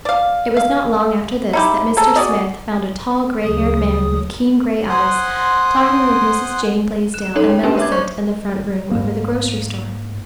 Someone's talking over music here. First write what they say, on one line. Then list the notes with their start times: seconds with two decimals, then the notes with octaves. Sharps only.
It was not long after this that Mr. Smith found a tall, gray-haired man, with keen gray eyes, talking with Mrs. Jane Blaisdell and Mellicent in the front room over the grocery store.
0.05 D5 F5
0.57 F5
1.53 D#4 E4 G4
1.97 G#4 A4 A#5
2.16 F#4 G#4 D5 D#5
3.43 D2 C#3 F#3 G#4 D#6
4.89 C5 F#5 G#5 C6 D#6 F#6
7.14 F#6 E7
7.35 C#4 D#4 A4 C#5
7.49 G5
7.63 A#3 C#4 D4 G4 A#4 B4
7.78 C#5 E5 D6 G#6
7.92 C5 D5 C#6 G6
8.91 G#2 A#3